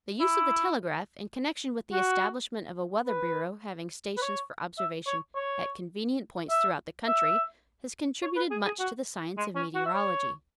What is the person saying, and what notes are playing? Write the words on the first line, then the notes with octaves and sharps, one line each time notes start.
The use of the telegraph in connection with the establishment of a weather bureau having stations for observation at convenient points throughout the country has contributed much to the science of meteorology.
E4
F#4
B4
B4
C#5
E5
C#5
C#5
E5
E5
C#5
B4
G#4
G#4
F#4
G#3
C#4
F#4
E5
C#5